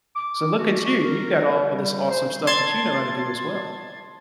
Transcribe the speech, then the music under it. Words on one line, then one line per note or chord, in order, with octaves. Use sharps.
So look at you, you've got all this awesome stuff that you know how to do as well.
D6
F#4
F#4
A#4
G3
C5
A5 C6 G#6 A6